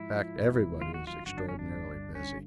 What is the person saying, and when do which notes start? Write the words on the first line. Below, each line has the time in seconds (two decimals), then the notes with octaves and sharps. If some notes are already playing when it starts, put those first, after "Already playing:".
In fact, everyone is extraordinarily busy.
Already playing: G#2 F3 E4
0.15 F3
0.37 F1
0.59 F3
0.81 D#3 F4
0.94 F#4
1.03 F#3 F4
1.26 G1 F#4
1.38 D4
1.48 G1 C#4
1.59 D4
1.71 G2
1.93 G2
2.15 G2 C#4